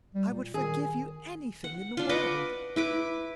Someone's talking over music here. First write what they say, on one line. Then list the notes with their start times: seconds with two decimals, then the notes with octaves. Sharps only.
I would forgive you anything in the world!
0.15 G3
0.30 A#2
0.54 D#3 G#4
1.64 F#5
1.97 D4 F4
2.09 B4 D#5 F#5 D6
2.76 E4 B4 D6